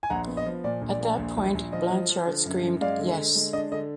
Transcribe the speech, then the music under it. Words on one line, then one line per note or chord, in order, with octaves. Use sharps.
At that point, Blanchard screamed Yes!
G#5
A#1 F#5 A#5
B3
D#5
F3
A#2 D5
A#1
D5
A#2
A#1
A#1
A#1
F3 D#5
F3
F3
D3
F#2
F#2
G#3 D5 F5
D3
D3
G#3
D4 D#5
D3 D#5